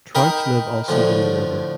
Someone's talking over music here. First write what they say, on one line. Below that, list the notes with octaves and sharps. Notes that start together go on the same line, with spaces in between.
Trouts live also in the river.
D#4 A#4 G5 B5
A2 D3 F3